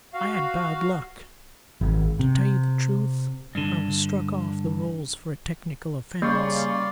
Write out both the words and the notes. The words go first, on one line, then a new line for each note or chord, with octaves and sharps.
I had bad luck--to tell you the truth, I was struck off the rolls for a technical offence.
F#4 F5
G#1
C3
G2 D3
C#3 G3 A#3 D5 F5 C6 C#6